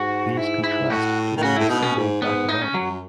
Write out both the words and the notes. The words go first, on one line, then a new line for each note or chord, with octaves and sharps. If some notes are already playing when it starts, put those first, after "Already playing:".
These contrast to only a single back vowel.
Already playing: G#2 F#4
E4
E4
A2 F#4
D#3
C#3 F#4
A2 E4
B2 D#4
B3
C#4
G#2
G#2 B3
D#4
C#4
F#2 F#3